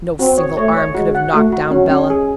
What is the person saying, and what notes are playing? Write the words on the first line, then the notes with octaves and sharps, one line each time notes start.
No single arm could have knocked down Bela.
C4 F#4
C#5
A3 C#5
C#5
G#3 F#4
F#5
A3 F#4
F#4
F#3 C#4
C#4
G#4